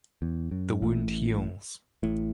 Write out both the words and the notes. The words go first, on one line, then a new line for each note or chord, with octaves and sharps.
The wound heals.
E2
F#2
A1 A2
A1 A2